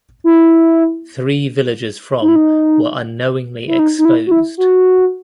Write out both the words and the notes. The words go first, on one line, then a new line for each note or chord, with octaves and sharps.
Three villagers from were unknowingly exposed.
E4
D#4
E4
D#4
E4
D#4
D#4
E4
F#4
E4
F#4